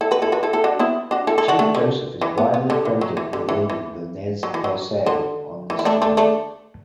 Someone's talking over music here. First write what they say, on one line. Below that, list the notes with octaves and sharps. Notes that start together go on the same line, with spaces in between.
Chief Joseph is widely credited with leading the Nez Perce on this journey.
E4 A4
F#4 B4
E4 A4
F#4 B4
E4 A4
E4 A4
D4 F#4
B3 E4
D4 F#4
E4 A4
E4 A4
D4 F#4
A3 D4
D3
E3
B3
B3
D3
E3
F#3
E3
D3
E3
E3
F#3
E3
F#3
D3
E3
E4
A3 D4
A3 D4
A3 D4